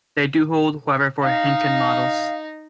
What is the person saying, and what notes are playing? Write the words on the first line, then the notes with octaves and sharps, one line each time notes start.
They do hold however for Henkin models.
D#4 D#5 F5